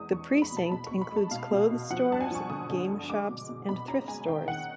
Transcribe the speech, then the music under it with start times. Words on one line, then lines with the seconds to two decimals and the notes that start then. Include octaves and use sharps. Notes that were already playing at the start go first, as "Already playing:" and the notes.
The precinct includes clothes stores, game shops and thrift stores.
Already playing: E2 G#3 D#6
0.12 E2 C#6
0.32 G#3
0.42 B5
0.52 B2 A5
0.72 B2 B5
0.87 B2 C#6
1.02 B5
1.12 G#3 A5
1.31 B2 F5
1.51 B2
1.71 B2
1.90 F3 F#5
2.10 G2 A5
2.21 G#5
2.31 F3 C#6
2.50 D3 D#6
2.70 D3
2.89 G2
3.09 G#3 D6
3.29 B2
3.49 B2
3.69 B2 B5
3.88 C#4 A#5
4.08 G#3 G#5
4.28 D#3 G5
4.48 D#3 F#5